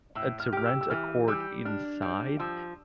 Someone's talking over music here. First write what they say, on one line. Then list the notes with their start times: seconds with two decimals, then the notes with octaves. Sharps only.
uh, to rent a court inside
0.15 A2 E6
0.40 F6
0.53 G4 F6
0.66 E6
0.81 E6
0.90 E3 F6
1.28 G3 E6
1.65 D4 F6
2.02 G3
2.39 F3 E6